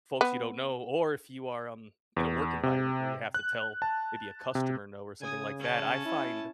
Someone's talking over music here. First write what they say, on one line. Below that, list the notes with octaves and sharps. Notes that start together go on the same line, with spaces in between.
folks you don't know, or if you are, um, in a work environment where you have to tell maybe a customer no, or something like that, I find
B3
E2
C3
F#6
A5
C3
C#3 G#5 D#6
C#4 A5
E4